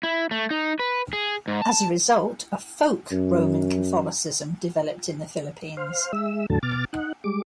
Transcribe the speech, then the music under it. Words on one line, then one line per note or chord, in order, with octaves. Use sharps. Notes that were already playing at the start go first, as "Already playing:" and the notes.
As a result, a folk Roman Catholicism developed in the Philippines.
E4
A3
D#4
B4
G#4
G#2
A5
F#2
C5 F5
G#3 E5 E6
E2 A2 D3 F#3 A4 A5
B2 D6 F6 A6
D#4 F#5
G3 G#3 D6